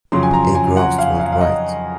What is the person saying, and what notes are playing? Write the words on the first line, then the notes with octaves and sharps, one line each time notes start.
It grossed worldwide.
F2 C#3 F#3 C6
G#5
A#5
G#5
F#5
F5
F5
F5
D#5